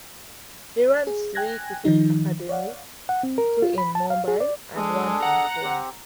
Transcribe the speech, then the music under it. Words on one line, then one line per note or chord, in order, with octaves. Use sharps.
He runs three cricket academies, two in Mumbai and one in Pune.
G#4
G5 G#5 F#6 G#6 A#6
D#3 F3 D#4
C#5 D5 F5 F#5
F#5
C4
A#4
F4
B5
A5
F5
G#4
D5
G#3 D4 G#4 A4
F#5 A#5
C4 G4